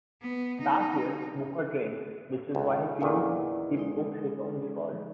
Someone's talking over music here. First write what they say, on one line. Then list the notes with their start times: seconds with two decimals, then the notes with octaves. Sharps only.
That year, Buka trained, which is why he claims he broke his own record.
0.21 B3
0.60 D#4
2.55 C#2
3.01 E2 A#2 D#3 E4
3.77 G#3 D#4